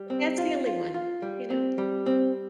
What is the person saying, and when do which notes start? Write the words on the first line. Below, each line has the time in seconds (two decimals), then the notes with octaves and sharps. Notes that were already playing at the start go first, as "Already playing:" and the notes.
That's the only one, you know?
Already playing: G3
0.10 C4
0.38 F4
0.66 F4
0.94 F4
1.22 G3
1.50 C4
1.78 G3
2.06 C4